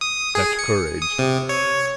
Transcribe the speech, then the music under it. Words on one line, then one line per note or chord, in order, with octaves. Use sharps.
Dutch courage.
D#6
G#4
C#7
D#6
C3
C#5